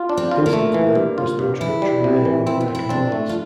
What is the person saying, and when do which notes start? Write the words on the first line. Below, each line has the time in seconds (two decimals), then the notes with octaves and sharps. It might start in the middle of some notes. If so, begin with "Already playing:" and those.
"Instaclear" was the introductory name on American models.
Already playing: F4
0.09 D4
0.17 C4
0.31 F4
0.46 A#3
0.53 A3
0.74 E3
0.95 G2
1.18 F4
1.39 G2
1.60 E3 E4
1.82 G3
2.04 C3
2.25 E3
2.47 C4 E4
2.60 F4
2.68 C4
2.75 E4
2.89 C4 D4
3.12 A3
3.29 F4